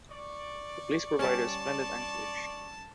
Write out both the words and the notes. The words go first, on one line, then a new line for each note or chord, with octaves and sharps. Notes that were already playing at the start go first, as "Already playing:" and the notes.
The place provided a splendid anchorage.
D5 C#6
G3 C#4 A5